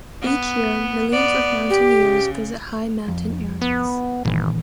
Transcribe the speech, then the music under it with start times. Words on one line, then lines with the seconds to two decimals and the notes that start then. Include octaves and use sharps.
Each year, millions of mountaineers visit high-mountain areas.
0.22 B3
1.11 B3 D5
1.70 G4
1.99 C#3
3.08 F2
3.61 B3
4.25 G1 A#2 D#3 E3